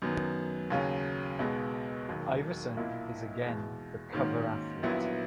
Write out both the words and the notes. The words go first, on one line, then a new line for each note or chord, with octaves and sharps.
Iverson is again the cover athlete.
F#2 D#3 F#3 B3
D#2 C#3 F#3 C#4
B1 B2 G#3 B3
E1 D#2 D#3 F#3
B1 A#2 A#3 E4
E2 B2 G#3
G#2 D#3 A#3 C#4 F#4
A#1 A#2 F#3 B3 E4